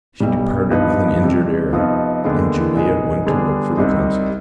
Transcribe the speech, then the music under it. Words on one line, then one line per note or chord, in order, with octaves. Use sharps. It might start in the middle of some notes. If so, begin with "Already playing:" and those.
She departed with an injured air, and Juliet went to look for the consul.
B1 B2 G3
G2 F3 B3 D#4 B4
F2 C3 G3
F2 C3 F3 B3 D#4
D#2 D3 G#3 B3
C2 B2 B3 D#4 G#4
D3 G3 B3 D4 G#4
C2 C3 G3 C4 D#4